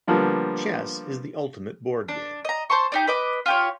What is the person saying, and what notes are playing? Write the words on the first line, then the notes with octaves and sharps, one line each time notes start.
Chess is the ultimate board game.
D3 F3 G3 A#3 B3
D4
D#5 A#5
C5 A5 C6 C#6
D4 D#4 G4
B4 D#5 D6
F4 G4 C#5